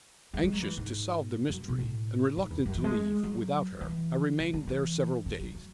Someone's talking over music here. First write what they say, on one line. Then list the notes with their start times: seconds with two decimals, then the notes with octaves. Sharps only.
Anxious to solve the mystery, and reluctant to leave without her, I remained there several days.
0.33 G#3
0.44 G#3
0.53 F#3
0.62 E3
0.77 G#2
1.50 F#2
1.68 B2
1.79 A2
2.37 G#2
2.50 E2
2.66 F#2
2.75 E3
2.84 G#3
3.23 F#3
3.81 E3
4.40 C#3
4.54 D3
4.67 E3
5.26 D3
5.40 F#3
5.55 F#3